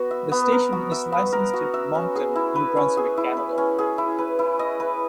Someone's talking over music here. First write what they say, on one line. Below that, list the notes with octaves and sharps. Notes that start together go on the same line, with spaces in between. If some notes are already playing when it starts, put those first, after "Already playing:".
The station is licensed to Moncton, New Brunswick, Canada.
Already playing: B3 F#4
E5
B3
A#4
F#4
E5
B3
A#4
F#4
E5
C#4
G#4
E4
B4
C#4
G#4
E4
B4
C#4
G#4
E4
B4
E4
D#5
B4